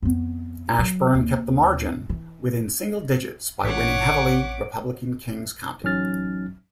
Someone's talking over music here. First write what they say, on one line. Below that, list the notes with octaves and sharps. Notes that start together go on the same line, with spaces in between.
Ashburn kept the margin within single digits by winning heavily Republican Kings County.
F2 B3
F#3
D#2
E3
A1 C#5 F#5 D6 B6
A1 F#3 C#4 D#4 F6 A6